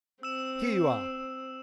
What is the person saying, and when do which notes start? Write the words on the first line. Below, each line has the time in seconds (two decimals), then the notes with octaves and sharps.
'Here you are!
0.23 C4 E6 E7